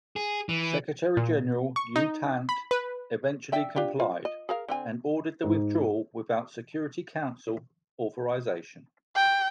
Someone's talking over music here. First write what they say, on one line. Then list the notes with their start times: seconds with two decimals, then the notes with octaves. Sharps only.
Secretary-General U Thant eventually complied and ordered the withdrawal without Security Council authorisation.
0.16 G#4
0.49 E3
1.17 A#2
1.76 C#6
1.96 D#4
2.49 B5
2.71 B4
3.52 D5 E5 G5
3.76 D4 F4 G4
4.00 F4
4.25 D#5
4.49 G#4 A#4 F5
4.68 D3 C4 G#5
5.44 G#2
9.15 G5